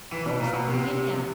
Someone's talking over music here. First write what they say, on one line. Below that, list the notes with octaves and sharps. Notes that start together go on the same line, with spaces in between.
Folks are going in now.
E3
B2
A#2
B2
C3